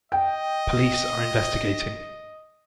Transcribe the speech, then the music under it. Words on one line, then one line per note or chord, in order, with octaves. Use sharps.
Police are investigating.
D#5 G5